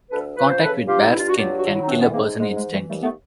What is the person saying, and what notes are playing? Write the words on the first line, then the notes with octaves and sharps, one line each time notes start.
Contact with bare skin can kill a person instantly.
D2 A4 B4
F3 B4
C5
C#3 A4 B4
G2 F4 G4
D#4
G2 E4
F4
F#4
F#3 F4 G4
F#4
D#3 F4
E4
D#4
E3 C4 D4
B3 C#4
G#2 A#3 C4
G#2 G#3
G#3
E3
G3 A3
D#2 G3 A3
A3 B3